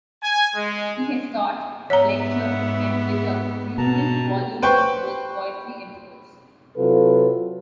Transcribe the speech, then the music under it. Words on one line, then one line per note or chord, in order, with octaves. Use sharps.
He has taught, lectured and written numerous volumes of both poetry and prose.
G#5
G#3
G#2 B3 C#5 E5 F#5 A#5
B2 A5 A#5
B4 C5 G5 B5 C#6
C3 F#3 E4 F4 A4 B4